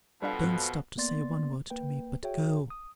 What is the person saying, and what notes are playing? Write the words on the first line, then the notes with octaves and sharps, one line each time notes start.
Don't stop to say one word to me, but go.
F2 B2 G3 D4 F5
G#2 C4 A6
A#3 B3 D5 C6 A6
A#3 B4 G5
F#4 G#4 C#5 E5 G5
D#6